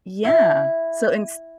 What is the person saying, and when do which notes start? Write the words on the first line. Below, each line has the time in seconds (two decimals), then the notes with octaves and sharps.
yeah, so ins
0.25 E4